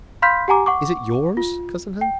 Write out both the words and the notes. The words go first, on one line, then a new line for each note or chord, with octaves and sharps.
"Is it yours, Cousin Helen?"
F5 B5 C6 F6 G6 B6
G4 F#5 G#5 A#5 D6
F#5 C#6 D6
F4
G5